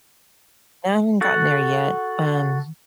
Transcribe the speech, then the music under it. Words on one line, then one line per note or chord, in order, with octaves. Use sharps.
Haven't gotten there yet, um,
F#4 A4 F#5